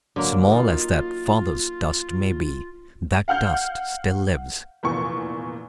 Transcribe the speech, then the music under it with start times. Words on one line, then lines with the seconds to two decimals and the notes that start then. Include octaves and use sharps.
Small as that father's dust may be, that dust still lives.
0.16 D3 F#3 A#3
0.52 D#4 F4
3.28 F5 F#5 F6 G6
4.83 F1 E2 A#2 C#6